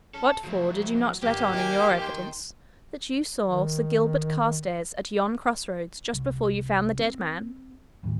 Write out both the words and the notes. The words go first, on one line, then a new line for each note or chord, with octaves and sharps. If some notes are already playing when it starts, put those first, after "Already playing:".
What for did you not let on in your evidence that you saw Sir Gilbert Carstairs at yon cross-roads just before you found the dead man?
C#4 A4
F3 F#3 A3
G2 A#3 B3 G4
D#4 A#4 G5 G#5
G5 C6
D#3
C2
C4
D#2 A2